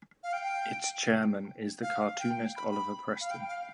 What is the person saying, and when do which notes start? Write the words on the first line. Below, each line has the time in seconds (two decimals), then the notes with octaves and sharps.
Its chairman is the cartoonist Oliver Preston.
0.23 F5
0.33 G5
1.82 F5
2.19 G5
2.56 B5
2.71 B5
3.21 F5
3.30 G5
3.48 F5